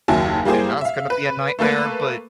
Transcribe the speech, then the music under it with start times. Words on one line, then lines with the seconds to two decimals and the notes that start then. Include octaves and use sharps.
and that's gonna be a nightmare," but
0.08 F#1 D#2 F#3 E5 G#5 A5
0.45 G3 A#3 E4 G4 G#4 C5
0.81 E5 F5
1.10 B4
1.59 A3 A#3 A4 B4